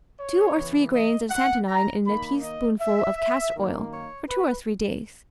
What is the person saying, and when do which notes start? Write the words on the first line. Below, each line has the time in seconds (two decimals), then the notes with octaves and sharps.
Two or three grains of santonine in a teaspoonful of castor oil, for two or three days.
0.18 C#5
0.55 C#3 E3 B3
0.92 D#5
1.30 F#5
1.67 A#5
2.05 D#3 A#3 D#4 B5
2.42 D#5
2.80 E5
3.54 F#2 D#3 A#3 D#4
3.91 C#5
4.29 B4